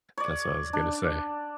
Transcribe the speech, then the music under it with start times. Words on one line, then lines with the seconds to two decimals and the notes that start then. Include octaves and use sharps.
That's what I was gonna say.
0.18 C#5 D5
0.73 D4